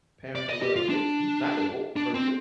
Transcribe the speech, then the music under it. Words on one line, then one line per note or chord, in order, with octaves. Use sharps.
parents or whatever, they He's not an old person,
D5
D#5
G4
F4
D4
D4
C4